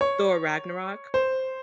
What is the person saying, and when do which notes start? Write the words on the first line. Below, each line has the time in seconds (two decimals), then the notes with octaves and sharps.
Thor: Ragnarok.
0.01 C#5
1.14 C5